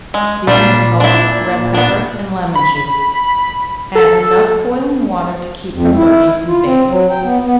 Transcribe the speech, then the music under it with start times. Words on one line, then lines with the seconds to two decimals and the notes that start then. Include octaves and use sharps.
Season with salt, red pepper, and lemon-juice, add enough boiling water to keep from burning, and bake.
0.14 G#3
0.47 A#2 G3 D4 F4
1.00 D4 E4
1.74 B3 D4
2.55 B5
3.95 A4
5.72 F2
5.97 E4
6.48 F4
6.65 C4
6.89 F#3
7.10 G5
7.24 B3
7.45 B3